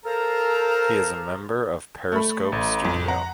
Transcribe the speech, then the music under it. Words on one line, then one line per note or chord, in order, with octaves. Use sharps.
He is a member of Periscope Studio.
A4 A#4 C5 F5 A5 A#5
A3 B5
A1
F2
F#5 A#5